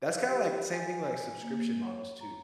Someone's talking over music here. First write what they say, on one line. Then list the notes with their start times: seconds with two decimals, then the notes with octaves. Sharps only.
That's kinda like same thing with, like, subscription models too.
0.15 F5
0.27 G4
0.73 G#5
1.42 A#3
1.85 C#5
2.21 A#5